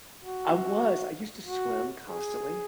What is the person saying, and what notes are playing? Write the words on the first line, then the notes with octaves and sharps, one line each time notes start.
I was, I used to swim constantly
F#4
F#4
G#4